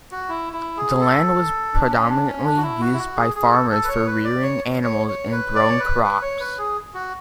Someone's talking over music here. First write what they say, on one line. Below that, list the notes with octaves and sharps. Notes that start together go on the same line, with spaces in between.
The land was predominantly used by farmers for rearing animals and growing crops.
F#4
E4
E4
G#4
A4
D4
C#4
D4
C#4
D4
F#4
E4
F#4
E4
F#4
G#4
G#4
A4
A4
B4
C#5
B4
D5
C#5
C#5
C#5
B4
D5
C#5
B4
B4
C#5
B4
G#4
F#4